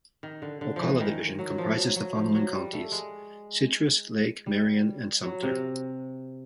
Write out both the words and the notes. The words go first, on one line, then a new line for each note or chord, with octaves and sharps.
Ocala Division comprises the following counties: Citrus, Lake, Marion, and Sumter.
D#3
D3
D3
E3 F3
D#3
F#3
F3
F#3
F#3
F3
F#3
G3
A3
G#3
G3
F#3
C3